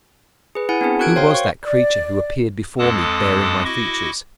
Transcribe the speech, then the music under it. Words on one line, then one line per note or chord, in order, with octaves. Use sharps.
Who was that creature who appeared before me bearing my features?
G#4 B4
E4 F#5 G#5
B3 C4 D4 G#4
F#4 A#4 F#6 G#6 D7
C5 C#5 F5 G5 C6
F5 C#6
D5
F2 G#3 A4 A5 D6 D#6
E4 F#4 D#5 C#6 D6